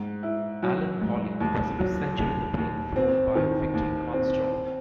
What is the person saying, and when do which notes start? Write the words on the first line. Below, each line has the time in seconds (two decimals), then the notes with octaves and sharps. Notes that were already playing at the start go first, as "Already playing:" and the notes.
Alan Hawley was a passenger in the plane flown by Victor Carlstrom.
Already playing: G#2
0.23 E4
0.63 F#3
1.01 G#2
1.40 D#2
1.79 F#3
2.19 D#2
2.57 D#2
2.96 C4
3.35 D#3
3.74 D#2
4.13 C4
4.52 C4